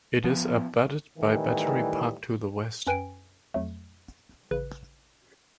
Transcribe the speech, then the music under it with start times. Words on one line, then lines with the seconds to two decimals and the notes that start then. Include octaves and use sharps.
It is abutted by Battery Park to the west.
0.24 F3 B3
1.18 A2 D#3 E3 G3
2.87 F#2 C#4 B4 G5 G#5 D7
3.54 F2 F#3 A3
4.51 A1 C#3 B4 F#6